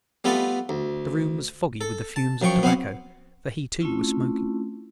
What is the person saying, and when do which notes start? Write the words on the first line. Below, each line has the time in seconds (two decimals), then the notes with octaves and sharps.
The room was foggy with the fumes of tobacco, for he, too, was smoking.
0.24 G3 A3 B3 F4 A4
0.69 D2
1.81 A4
2.16 A5
2.42 F#2 F3 G5 C#6
2.63 B3 C4 F5 F#5
3.81 A3 C4 C#4 E4 F4